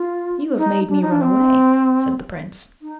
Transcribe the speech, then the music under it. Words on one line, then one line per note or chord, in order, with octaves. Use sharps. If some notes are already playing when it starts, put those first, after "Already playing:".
'You have made me run away,' said the prince.
Already playing: F4
D#4
D4
D#4
D4
C4
D#4